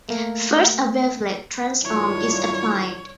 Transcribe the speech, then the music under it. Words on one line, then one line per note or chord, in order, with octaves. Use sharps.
First a wavelet transform is applied.
A3 A#3
G2 D#3 F#3 D4 E4 F4 C#5